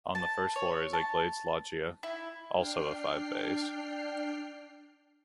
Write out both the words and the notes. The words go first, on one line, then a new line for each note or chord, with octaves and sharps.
On the first floor is a glazed loggia, also of five bays.
A5
C#5
A5
E4
D4 G5 F6 C7